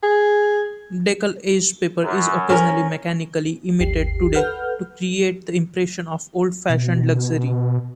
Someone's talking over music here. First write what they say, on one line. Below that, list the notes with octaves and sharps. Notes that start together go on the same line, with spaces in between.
Deckle-edged paper is occasionally mechanically imitated today to create the impression of old-fashioned luxury.
G#4
F#2
C#4 A#4
G#1 D#2 G4 C7
A4 B4 F#5 F6 G6
B2